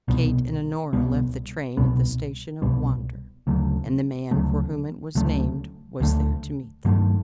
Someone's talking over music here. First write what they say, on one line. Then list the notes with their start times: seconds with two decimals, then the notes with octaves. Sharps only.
Kate and Honora left the train at the station of Wander, and the man for whom it was named was there to meet them.
0.08 C2 B2 G3 B3
0.93 C2 B2 G3 B3
1.77 C2 B2 G3 B3
2.62 C2 B2 G3 B3
3.47 D2 C#3 F#3 A3
4.31 D2 C#3 F#3 A3
5.15 D2 C#3 F#3 A3
6.00 D2 C#3 F#3 A3
6.85 G2 D#3 F#3 A3